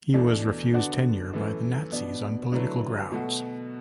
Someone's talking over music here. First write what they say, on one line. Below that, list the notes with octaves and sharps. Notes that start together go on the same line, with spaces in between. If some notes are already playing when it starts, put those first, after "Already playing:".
He was refused tenure by the Nazis on political grounds.
E2 B2 A3 D4
D3 B3 D4 F#4 D5
F#2 E3 A3
B2 B3 D4
D3 F#3 A3 E4 B4
B2 A3 F#4